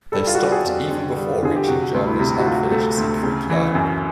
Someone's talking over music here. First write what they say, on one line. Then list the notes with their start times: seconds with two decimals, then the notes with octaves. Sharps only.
They stopped even before reaching Germany's unfinished Siegfried Line.
0.12 G3 A4
0.27 F4
0.35 F#4
0.38 G3 G4
0.52 G#4
0.64 F2
0.90 D3
1.16 G3
1.43 D3 G#4
1.56 G4
1.68 C3 F#4
1.94 D2
2.07 E4
2.19 C3
2.39 F#4
2.46 D2 F4
2.71 A3
2.98 D2
3.23 C#3
3.50 E3
3.75 F#2